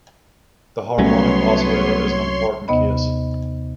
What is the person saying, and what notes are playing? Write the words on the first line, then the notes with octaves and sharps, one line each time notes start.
The harmonic oscillator is an important case.
C2 F#3 G3 A3 B3 C#4 C#5 C6
D#2 C3 B3 D#5 B5